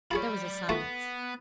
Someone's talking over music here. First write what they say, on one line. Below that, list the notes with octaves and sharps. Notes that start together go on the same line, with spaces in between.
There was a silence.
F4 G#4 C#5 D5 B5
A3 B3 F4 F#4